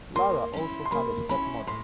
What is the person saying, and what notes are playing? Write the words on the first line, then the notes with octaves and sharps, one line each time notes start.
Lara also had a stepmother.
A#3 C6
C#4 E4
C6
A#3 B5
C#4 E4 B5
A2 C6